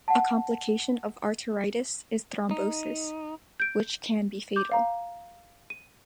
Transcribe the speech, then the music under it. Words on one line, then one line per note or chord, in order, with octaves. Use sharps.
A complication of arteritis is thrombosis, which can be fatal.
F#5 A5
D#4
G6 D7
D6 G6
F5 A#5
D#7